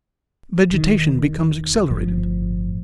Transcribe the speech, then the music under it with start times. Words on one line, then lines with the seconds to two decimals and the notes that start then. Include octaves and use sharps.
Vegetation becomes accelerated.
0.71 E1 D#3
1.90 G1 A2 F3